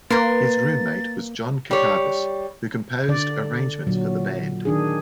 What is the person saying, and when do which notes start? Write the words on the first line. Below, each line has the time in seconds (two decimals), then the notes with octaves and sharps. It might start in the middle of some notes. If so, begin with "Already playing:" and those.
His roommate was John Cacavas who composed arrangements for the band.
0.10 A#3 A#4 B4 C6 A6
1.71 G3 C#5
3.08 D3 D5
3.87 A#2 D3 F#3
4.65 D#3 D4 G#4